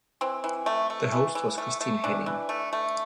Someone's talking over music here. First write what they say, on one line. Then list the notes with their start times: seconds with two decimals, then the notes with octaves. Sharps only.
The host was Christine Henning.
0.21 E3 C4
0.44 E3
0.66 A3
0.90 A3
1.12 E3
1.35 E3
1.58 A3
1.81 A3
2.04 E3 D4
2.26 E3
2.49 A3
2.73 A3